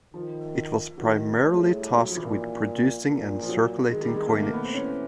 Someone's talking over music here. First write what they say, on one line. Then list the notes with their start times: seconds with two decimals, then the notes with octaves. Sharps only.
It was primarily tasked with producing and circulating coinage.
0.14 D#3 F3
0.98 D#3 F#3
1.39 A2 G3
1.54 G#3
1.67 G#3
1.81 G3
1.95 F#3
2.10 F3
2.17 E3
2.23 A#2 F3
3.07 A#2
3.42 F3
3.49 F#3
3.90 D#3 G#3
4.03 G3
4.16 G#3
4.26 A#3
4.33 A3
4.42 A#3
4.53 B3
4.64 C4
4.74 E3 C#4